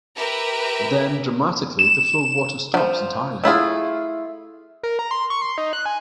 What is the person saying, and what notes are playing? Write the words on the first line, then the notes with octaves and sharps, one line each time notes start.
Then, dramatically, the flow of water stops entirely.
G4 A#4 B4 E5
E7
D#3 F3
A3 E4 F4 G#4
A#4
A#5
C6
C#6
C6
D#4
F#6
G#5